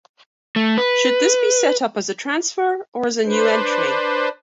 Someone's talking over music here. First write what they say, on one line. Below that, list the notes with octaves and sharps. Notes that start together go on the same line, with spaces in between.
Should this be set up as a transfer, or as a new entry?
A3
B4
D4 B4 C5